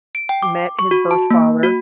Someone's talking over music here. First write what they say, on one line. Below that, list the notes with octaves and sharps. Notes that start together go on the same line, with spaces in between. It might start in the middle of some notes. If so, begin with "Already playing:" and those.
met his birth father
D7
G5
D6
C#6
F#4
A5
A#3
F#4